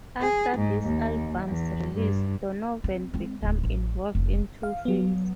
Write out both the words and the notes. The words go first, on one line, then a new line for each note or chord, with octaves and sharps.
After this album's release, Donovan became involved in two films.
G#4
G#2
D#2
E2
G2
C4
G#3 C4
D1 E4
A1
F1
F5
F#3 B3